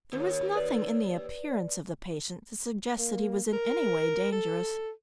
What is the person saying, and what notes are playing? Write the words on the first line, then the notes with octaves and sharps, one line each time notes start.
There was nothing in the appearance of the patient to suggest that he was in any way dangerous.
D#2
B4 D5
A#3
A#4
A4